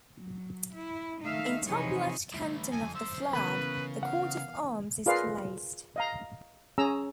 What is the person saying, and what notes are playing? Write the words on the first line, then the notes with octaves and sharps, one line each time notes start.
In top left canton of the flag the Coat of Arms is placed.
F#3
E4
D#3 A3 D#4 E5 F5
C3 E3 F3 D#4 G#4 C#5
A2 D3 E3 G3 E5
F2 G#5
F#3 C5 E6
C#3 E3 B3 A#4 B4 B5
F5 F#5
F4 G#4 A#4 B4 D5 F5
D#5 F5 A#5
C#4 G#4 A#5 E6